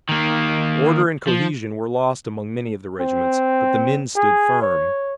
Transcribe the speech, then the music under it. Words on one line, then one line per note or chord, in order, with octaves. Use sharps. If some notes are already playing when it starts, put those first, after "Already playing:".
Order and cohesion were lost among many of the regiments, but the men stood firm.
D#3 A#3
F3
C4
G#4
C#5